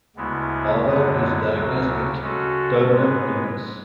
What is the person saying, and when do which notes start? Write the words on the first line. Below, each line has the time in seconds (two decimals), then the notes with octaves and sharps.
Laura is diagnosed with terminal illness.
0.16 D2 C#3 G#3 B3 E4
0.85 F#2 D3 G#3 B3
1.52 D2 C#3 F#3
2.21 C#3 G#3 C#4 F#4 A4
2.89 G#2 G#3 B3